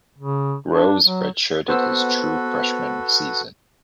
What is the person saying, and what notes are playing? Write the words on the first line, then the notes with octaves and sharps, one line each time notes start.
Groves redshirted his true freshman season.
C#3
D4
F#3
B3 F#4 A4 B4 C5 E6